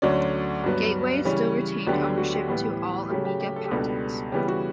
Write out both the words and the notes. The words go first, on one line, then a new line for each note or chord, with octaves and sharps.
Gateway still retained ownership to all Amiga patents.
D2 D3 F#3 C#4 D5
G2 F#3 B3
C#3 E3 G3 C#4 C#5
D2 D3 F#3 B3 D4 G4
G4
F#4
G4
A2 E3 G3 B3
C#3 F#3 A3 G4
G4
G4
A4
G4
C#2 B2 G3 B3 D4 A4
C#3 E3 G3 B3 G4
F#4